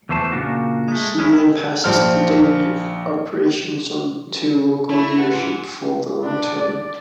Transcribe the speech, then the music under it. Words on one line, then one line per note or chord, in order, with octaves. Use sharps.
He then passes the daily operations on to local leadership for the long term.
E2 E3 A3 C5 A5
A#2 C#3 A#3 D4 F4 F#4
G#3 A3
G#3 C#4 E4
E4
A#1 F3 C5 A5 F6
A3 E4 C#5 B5
G4 B4 F#5
G#2 F4
D4
D5